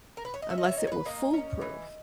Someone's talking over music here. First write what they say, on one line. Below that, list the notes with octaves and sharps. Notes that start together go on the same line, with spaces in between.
unless it were foolproof.
A#4
B4
C#5
D#5
C#4 E5
D#5
E5
C#5
A#3 D#5
C#5
B4
A#3 D#5
C#4
E3